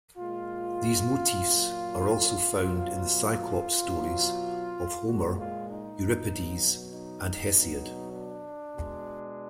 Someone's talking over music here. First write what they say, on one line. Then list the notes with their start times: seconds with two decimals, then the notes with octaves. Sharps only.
These motifs are also found in the cyclops stories of Homer, Euripides, and Hesiod.
0.17 A#2 G#3 F4
1.39 A#2 F#3
2.61 B2 F#3 F4
3.84 B2 F#3
5.06 A#2 G#3 F#4
5.37 F4
5.68 D#4
6.29 B2 F#3
6.89 D#4
7.51 B2 F#3
8.13 D4
8.73 B2 G#3